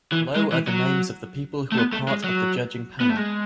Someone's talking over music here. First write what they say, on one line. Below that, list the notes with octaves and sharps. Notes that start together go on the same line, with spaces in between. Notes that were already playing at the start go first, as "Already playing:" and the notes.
Below are the names of the people who were part of the judging panel.
E3
G#3
E3
F#3
A3
B3
A3
G#3
F#3
B3
A3
G#3